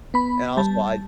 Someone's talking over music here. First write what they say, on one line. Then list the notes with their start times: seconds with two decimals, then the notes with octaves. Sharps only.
And also I
0.14 B3 B5
0.57 G3 A5